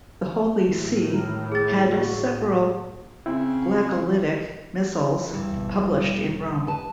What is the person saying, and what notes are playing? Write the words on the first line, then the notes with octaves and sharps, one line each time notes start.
The Holy See had several Glagolitic missals published in Rome.
A2 E3 E4
D#3 A#4
G#4 A6
A#3 F#4
C#3 C4 E4
D2 G2 E3
G#1 B2
E1 G3
B4 A5